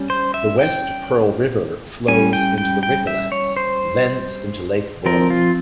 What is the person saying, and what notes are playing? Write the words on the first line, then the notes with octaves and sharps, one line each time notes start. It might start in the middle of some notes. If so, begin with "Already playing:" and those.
The West Pearl River flows into The Rigolets, thence into Lake Borgne.
Already playing: G3 C#4
C5
E5
G5
G3 C#4 G#5
G5
G5
G5
E5
C#5
C5
F3 C4 A#4
F4